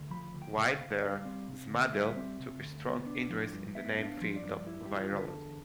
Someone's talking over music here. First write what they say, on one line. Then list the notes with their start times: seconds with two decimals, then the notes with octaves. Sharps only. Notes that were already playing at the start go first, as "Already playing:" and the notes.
While there, Smadel took a strong interest in the new field of virology.
Already playing: D2
0.10 F3 B5
0.34 D2
0.42 G5
0.56 C3
0.71 F5
0.79 D2
1.02 G3 F5
1.25 C4
1.48 C3
1.70 D2
1.93 G3 E5
2.16 C4
2.39 C3
2.61 D2
2.85 B3
3.07 D4
3.30 F3
3.52 G2
3.75 B3 E5
3.98 D4
4.06 F5
4.21 F3
4.36 D5
4.44 G2
4.66 G3 E4
4.86 E2 G4
4.96 F4
5.11 D3 B4
5.27 A4
5.34 E2